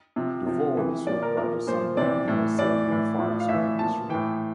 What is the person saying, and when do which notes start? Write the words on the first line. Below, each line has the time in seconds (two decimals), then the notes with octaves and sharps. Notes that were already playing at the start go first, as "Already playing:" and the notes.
Devore is served by the San Bernardino City Unified School District.
0.16 C3 F3
0.46 C3 F3
0.76 C3 E3
1.07 A#2 F3 D5
1.22 A#4
1.37 A#2 F3 A#4
1.67 A#2 F3 C5
1.97 C3 E3 D5
2.28 A2 E3
2.58 A2 E3 D5
2.88 A2 E3
3.18 A2 F3
3.40 F5
3.48 A2 E3 E5
3.79 A#2 F3 A5
4.09 A2 E3 G5